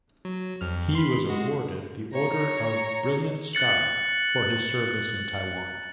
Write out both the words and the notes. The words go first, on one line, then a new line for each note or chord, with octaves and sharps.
He was awarded the Order of Brilliant Star for his service in Taiwan.
F#3
F2 F6
B5 C6
G#3 F#4
C#5 A#5
F#6 A6 C#7 F#7